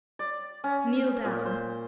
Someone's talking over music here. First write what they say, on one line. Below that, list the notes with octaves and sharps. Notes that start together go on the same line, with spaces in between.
"Kneel down."
D5
C#4
A#2
C5